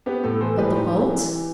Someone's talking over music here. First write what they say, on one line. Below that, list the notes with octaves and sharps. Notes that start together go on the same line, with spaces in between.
"But the boat?"
B3 G4 B4
A2 A4
E3 A4 C5
A2 G4 B4
D#4 G4
E3
E3
E3